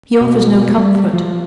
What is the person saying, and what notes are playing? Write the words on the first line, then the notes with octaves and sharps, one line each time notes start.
He offers no comfort.
B2
G3
F3